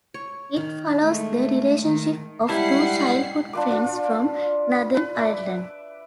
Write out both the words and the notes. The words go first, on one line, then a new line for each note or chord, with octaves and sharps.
It follows the relationship of two childhood friends from Northern Ireland.
C#5
D#3
G#3 A3
D#3
G3 G#3 E4 F#5 A5 C7
D4 F4 B4 D6
F4 D5
B4
E5 D6